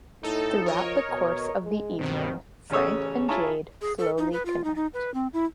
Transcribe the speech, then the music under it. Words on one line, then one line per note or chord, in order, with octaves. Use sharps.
Throughout the course of the evening, Frank and Jade slowly connect.
A2 D#4 A4
F3 A#4 C#5 D#5
B2
G#3
G2 B2 D#3 C4
A1 C#3 C#4 A4 C#5 D#6
E4 F4 G#4 C#5 A5 A#5
G#4
A4
D#4
B4
F4
D#4
D#4
B4
C4
E4